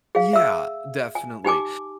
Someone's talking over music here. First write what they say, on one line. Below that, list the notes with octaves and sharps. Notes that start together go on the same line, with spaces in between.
Yeah, definitely,
G#4 F5
E5 E6
G#5
D#4 G4 G#5 D6